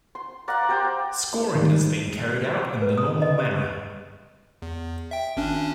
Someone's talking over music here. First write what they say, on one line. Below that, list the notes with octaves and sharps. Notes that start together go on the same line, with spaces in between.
Scoring is then carried out in the normal manner.
C6
A#4 D5 F5 F#5
G4 A#4 C5 G5
D#3 G3
B4
D#6
D#5
G4
C#6
E2
E5 G5
G#1 C#4 D4